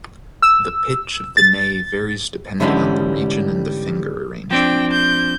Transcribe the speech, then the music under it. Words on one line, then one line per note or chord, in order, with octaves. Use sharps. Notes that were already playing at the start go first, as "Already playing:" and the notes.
The pitch of the ney varies depending on the region and the finger arrangement.
E6
A6
G#2 D3 E3 G3 B3 C#4
F3 C4 D4 G5
G6